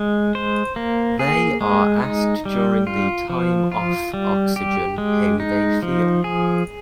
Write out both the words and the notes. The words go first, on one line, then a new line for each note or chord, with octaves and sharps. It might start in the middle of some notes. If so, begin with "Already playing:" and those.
They are asked during the time off oxygen how they feel.
Already playing: G#3
C5
A#3
G#4
G#3
D#4
G3
F4
F3
F4
G3
G4
G#3
D#4
F3
G#4